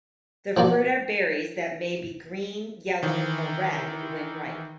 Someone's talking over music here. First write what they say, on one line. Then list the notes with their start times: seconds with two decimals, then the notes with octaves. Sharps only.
The fruit are berries that may be green, yellow or red when ripe.
0.57 F3 A#3 F#4 D5
3.03 D#3 E3